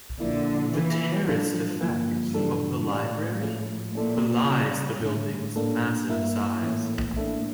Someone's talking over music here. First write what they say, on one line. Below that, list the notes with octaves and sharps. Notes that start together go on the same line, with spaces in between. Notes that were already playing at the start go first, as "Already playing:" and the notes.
The terraced effect of the library belies the building's massive size.
A#2 D3 F3 A#3 E4
E3 A#3 C#4 F4
A2 F3 G3 D4 F4 A4
G2 D3 F3 A#3
C#3 E3 G3 D4 A4
A2 C#4 G4 D5 F5
F3 A3 C#4
A#2 C#4 E4 A4 D5
C#3 G3 C#4 G4 D5
A2 D3 A3 C#4
A2 A#3 D4 A4
G2 A#3 E4 A#4 E5
A2 E3 A#3 C#4
A2 A#3 D4 A4 E5